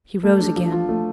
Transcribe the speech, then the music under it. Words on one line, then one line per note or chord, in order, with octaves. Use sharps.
He rose again.
A3
D4
F3
F4
A3